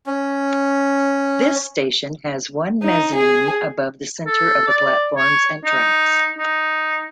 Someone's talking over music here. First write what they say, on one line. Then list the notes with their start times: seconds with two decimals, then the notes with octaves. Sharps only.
This station has one mezzanine above the center of the platforms and tracks.
0.06 C#4
2.83 D#4
3.15 G#4
4.27 A4
4.67 D5
5.17 C#5
5.64 D#4
6.38 D#4